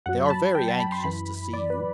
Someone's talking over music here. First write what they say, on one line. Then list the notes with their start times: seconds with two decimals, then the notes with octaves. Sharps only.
"They are very anxious to see you."
0.06 F#2 F#3 F#5
0.26 B5
0.30 A5
0.55 G5
0.68 A5
0.80 B5
0.92 C6
1.04 F#2 E3 B5
1.53 D5
1.70 B4